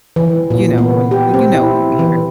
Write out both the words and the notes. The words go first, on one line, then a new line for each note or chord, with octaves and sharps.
You know, when you well, you know it when you hear it.
E3
A#2
B3
G4
C4
E4
E3